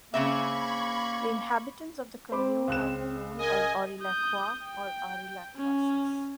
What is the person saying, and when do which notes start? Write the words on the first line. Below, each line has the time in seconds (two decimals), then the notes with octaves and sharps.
The inhabitants of the commune are known as "Aurillacois" or "Aurillacoises".
0.14 C#3 A#3 C4 E5 B5 C#6 G#6
2.32 C4 C5 B5 D6
2.68 C#2 F#6 E7
3.38 A#4 D#5 G#5
4.01 D#6 G6
4.65 G5
5.57 C#4